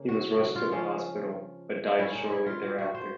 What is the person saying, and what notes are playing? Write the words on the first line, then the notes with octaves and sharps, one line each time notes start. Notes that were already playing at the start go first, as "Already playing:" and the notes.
He was rushed to the hospital, but died shortly thereafter.
Already playing: C#3 A#3
F#4
F#4
F4
F3 G#3 C#4 F4
D#3 G#3 C#4 E4
D#4
E4
F4
F#4
F#4
C5